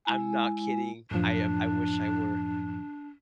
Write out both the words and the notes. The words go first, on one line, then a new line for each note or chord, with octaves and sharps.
I'm not kidding. I am I wish I were.
G#3 E4 G#5
F#2 A2 F3 D4